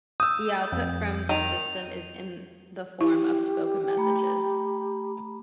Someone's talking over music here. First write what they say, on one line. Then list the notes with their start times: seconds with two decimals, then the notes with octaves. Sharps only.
The output from the system is in the form of spoken messages.
0.20 D#6 E6 G6
0.72 F2
1.29 D#3 D#7 F7
3.01 E4 G4
3.97 A3 A#5 B5